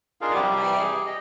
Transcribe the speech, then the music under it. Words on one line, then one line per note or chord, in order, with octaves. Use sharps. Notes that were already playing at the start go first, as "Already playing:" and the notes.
brown or white?
D4 D#4 F4 G#4 A#4 F5
C3 G3 G4
G#4
G4 D#5